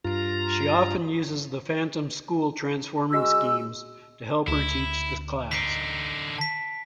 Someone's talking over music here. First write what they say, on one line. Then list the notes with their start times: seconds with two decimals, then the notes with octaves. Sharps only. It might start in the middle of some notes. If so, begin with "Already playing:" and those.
She often uses The Phantom's school transforming schemes to help her teach the class.
0.04 G2 F4 A#5
3.12 G#3 F#4 E6
4.48 D2 E4
5.51 D3 D#4 B6 C7 D7
6.38 A5 B6